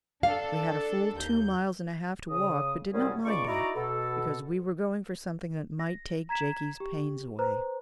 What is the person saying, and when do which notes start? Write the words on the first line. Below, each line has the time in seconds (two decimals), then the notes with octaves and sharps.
We had a full two miles and a half to walk, but did not mind that, because we were going for something that might take Jakie's pains away.
0.23 D4 A4 F5
1.18 D#2 G6
2.30 C#3 D#6
2.93 C2 F#2 G3 C#4 G#4 D5
3.25 C#2 D5 C#6
3.47 D#4 E4 F#4 D5 A#5
3.75 B2 A4
5.79 A#6
6.29 A#5 G#6 B6 E7
6.80 G4
7.39 B4 C5 A#5